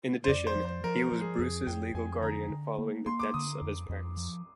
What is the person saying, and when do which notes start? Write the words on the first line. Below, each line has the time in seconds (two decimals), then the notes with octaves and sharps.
In addition, he was Bruce's legal guardian following the deaths of his parents.
0.24 C5
0.27 F2 D5
0.47 C5
0.55 F3
0.65 C5
0.84 F3 A#4
1.02 A#4
1.12 F3
1.21 G#4
1.39 F2 G#4
1.67 F2 G5
1.95 F2 G#5
2.22 D3 A#5
2.50 D3
2.78 A#3
3.06 A#3 C6
3.19 D6
3.34 D3 D#6
3.62 F2
3.89 F2
4.17 F3